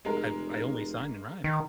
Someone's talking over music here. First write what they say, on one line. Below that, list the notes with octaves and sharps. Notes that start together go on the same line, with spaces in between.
I've I only sign and rhyme.
F1 G#3 A#4
D#3